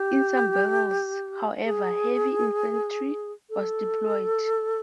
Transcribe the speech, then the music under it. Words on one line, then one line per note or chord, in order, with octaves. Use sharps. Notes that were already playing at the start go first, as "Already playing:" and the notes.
In some battles, however, heavy infantry was deployed.
Already playing: G4
G#4
A4